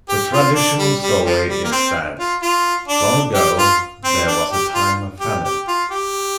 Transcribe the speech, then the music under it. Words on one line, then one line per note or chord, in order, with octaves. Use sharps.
The traditional story is that, long ago, there was a time of famine.
G4
F4
D4
G3
G3
F3
G3
A#3
C4
F4
F4
D4
G4
F4
C4
D4
G4
F4
G4
G4
F4
G4